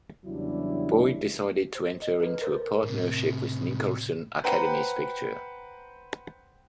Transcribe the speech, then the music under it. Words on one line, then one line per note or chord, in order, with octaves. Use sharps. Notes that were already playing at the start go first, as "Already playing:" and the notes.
Boyd decided to enter into a partnership with Nicholson's Academy Pictures.
E2 C#3 F#3 G3 D4 E4
C5
D#5
A4 B4
A#4 C5
A2 C3
B4 C5 F#5 G5 A#5 B5